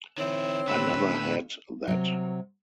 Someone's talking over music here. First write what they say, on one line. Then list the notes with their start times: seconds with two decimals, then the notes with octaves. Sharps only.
I never had that.
0.18 D#3 C4 E4 C#5
0.67 A2 D3 B4 B5 E6
1.88 C3 F#3